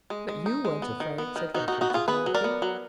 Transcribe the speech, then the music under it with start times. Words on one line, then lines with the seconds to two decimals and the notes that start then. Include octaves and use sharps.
"But you weren't afraid," said Raffle to Dorothy.
0.10 G#3
0.28 G#3
0.46 D#4
0.65 G#3
0.82 B3
1.00 D#3
1.18 B3
1.36 D#3
1.54 D#3 D#4 F#4
1.68 D#3 D#4 F#4
1.81 D#4 F#4
1.90 B3
1.94 F4 G#4
2.08 B3 G#4 B4
2.26 F#3
2.34 A#4 D5
2.44 B3
2.62 F#3